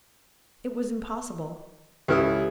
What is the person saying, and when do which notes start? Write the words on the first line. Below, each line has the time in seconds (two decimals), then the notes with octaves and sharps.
It was impossible?
2.08 C#2 E4 G4 A4 B4 D#6